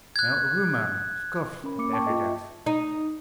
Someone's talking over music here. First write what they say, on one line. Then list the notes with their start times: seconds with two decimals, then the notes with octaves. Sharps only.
Now, a woman scoffs at evidence.
0.16 F#6 G#6
1.64 C#4 A#4 B5
1.78 A#3 D6 C#7
1.93 G5 A5 C#6
2.07 F4 D#5
2.23 D#5 E5
2.66 D#4